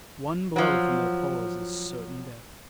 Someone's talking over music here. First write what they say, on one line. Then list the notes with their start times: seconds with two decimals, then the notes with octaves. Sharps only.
One blow from their paws is certain death.
0.56 F3 F#3